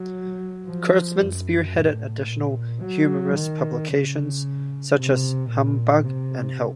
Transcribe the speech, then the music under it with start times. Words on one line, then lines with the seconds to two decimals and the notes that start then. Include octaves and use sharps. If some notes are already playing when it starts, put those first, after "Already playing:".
Kurtzman spearheaded additional humorous publications such as "Humbug" and "Help!".
Already playing: F#3
0.66 F3
1.21 F#2
1.73 A2
2.28 A#2
2.81 F#3
3.36 D#3
3.89 C#3
4.97 C3
5.50 A#2
6.04 C3